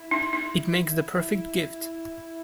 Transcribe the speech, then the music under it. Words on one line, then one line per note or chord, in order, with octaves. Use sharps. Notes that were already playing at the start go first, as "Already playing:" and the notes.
It makes the perfect gift.
Already playing: E4
D#4
D#4